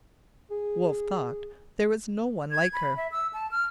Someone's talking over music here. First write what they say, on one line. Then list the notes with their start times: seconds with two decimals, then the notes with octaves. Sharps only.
Wolfe thought there was no one like her.
0.51 G#4
2.51 G#6
2.73 B5
2.97 E5
3.12 E6
3.33 A5
3.51 F6